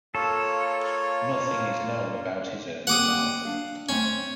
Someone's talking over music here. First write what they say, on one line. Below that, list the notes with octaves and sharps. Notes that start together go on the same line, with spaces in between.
Nothing is known about his early life.
A#3 F4 A4 C#5
A#3 G4 F#5 D6 D#6
D4 F5
A3 C4 C#4